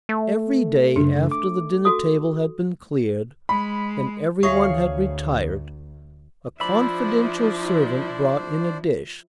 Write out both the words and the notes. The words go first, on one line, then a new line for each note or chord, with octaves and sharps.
Every day, after the dinner table had been cleared, and everyone had retired, a confidential servant brought in a dish.
A3
F#2 C#3 D4
D6
F#4 A4 D#6
G#3 B5
D2 F#4 G#4 C#5 E5 F5 C#6
F3 D4 E4 C5 D5 E5 B5